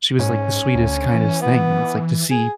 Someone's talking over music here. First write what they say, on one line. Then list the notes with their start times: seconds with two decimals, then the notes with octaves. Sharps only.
she was, like, "the sweetest, kindest thing," and it's like, to see,
0.19 G#2 C#4
0.75 D2
1.14 E3
1.41 B3
2.31 G#4